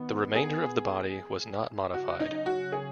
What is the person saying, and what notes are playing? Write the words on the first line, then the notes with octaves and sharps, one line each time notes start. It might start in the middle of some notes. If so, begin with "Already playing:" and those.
The remainder of the body was not modified.
Already playing: D#3 B3
G#4
C#3 F#3 C#4 F#4
D#4
F#4
G#4